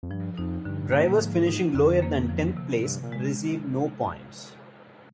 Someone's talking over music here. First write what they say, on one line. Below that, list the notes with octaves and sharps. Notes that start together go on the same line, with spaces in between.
Drivers finishing lower than tenth place receive no points.
F2
G2 F3
F2 D#4
G2 D3
A#3
A#2
G#2 F3
D#4
F2 D3
A#3
F3
C3
G2 C3
A#2
G#3